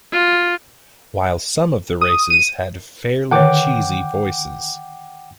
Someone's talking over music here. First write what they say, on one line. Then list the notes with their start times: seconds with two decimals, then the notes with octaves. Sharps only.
While some of the races had fairly cheesy voices.
0.12 F4
2.01 D#6
2.30 D#7
3.31 D3 D#3 C#5 F#5 G5 D6